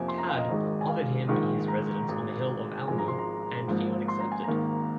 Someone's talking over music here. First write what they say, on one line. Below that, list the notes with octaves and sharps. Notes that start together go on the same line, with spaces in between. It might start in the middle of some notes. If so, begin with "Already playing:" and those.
Tadg offered him his residence on the hill of Almu, and Fionn accepted.
Already playing: F2 C3 F3 A#3 G#5
C6
A#5
F5
D#5
G#1 G#2 D#3 G#3
G#5
F5
A#1 G#2 D#3 G#3
A#5
G#1 G#2 G#3
G#1 G#2 F3 G#3 G#5
A#5
C6
A#5
G#1 G#2 F3 A#3
C6
A#5
G#5
G#1 G#2 D#3 A#3 A#5